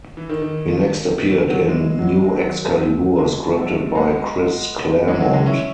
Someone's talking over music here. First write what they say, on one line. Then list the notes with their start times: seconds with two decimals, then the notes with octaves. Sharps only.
He next appeared in "New Excalibur" scripted by Chris Claremont.
0.17 E3
0.29 D#3
0.42 D#3
1.30 E3
1.49 D#3 F#3
1.68 E3 G#3
1.99 F#3
2.05 E3
2.43 D#3 F#3
3.19 E3 G#3
3.57 F#3 A3
3.95 G#3 B3
5.08 E3 G#3
5.21 D#3 F#3
5.33 E3 G#3
5.46 C#4 E4